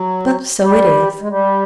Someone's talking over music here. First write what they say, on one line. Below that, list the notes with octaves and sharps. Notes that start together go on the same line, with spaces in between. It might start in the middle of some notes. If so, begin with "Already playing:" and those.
But so it is.
Already playing: F#3
G3
G#3
G3